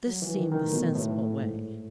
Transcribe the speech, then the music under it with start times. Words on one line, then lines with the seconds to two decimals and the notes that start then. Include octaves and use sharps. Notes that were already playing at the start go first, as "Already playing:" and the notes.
This seemed the sensible way.
0.07 F#3
0.22 E3
0.36 D#3
0.51 D#3
0.64 A2
0.73 B2
0.95 A2
1.38 G#2